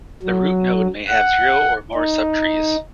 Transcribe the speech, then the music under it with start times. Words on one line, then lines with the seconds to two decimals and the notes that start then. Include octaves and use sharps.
The root node may have zero or more subtrees.
0.23 F#3
1.08 F#5
1.94 D#4